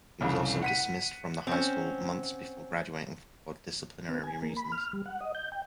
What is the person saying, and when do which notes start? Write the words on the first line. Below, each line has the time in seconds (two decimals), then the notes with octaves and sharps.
He was also dismissed from the High School months before graduating for disciplinary reasons.
0.21 C2 F2 C#3
0.62 F#5 B6 D#7
1.47 C4 C#4
4.09 B3
4.24 G#5
4.43 A#3
4.57 B5
4.72 F6
4.93 G3
5.06 F#5
5.21 D#5
5.35 G6
5.52 G5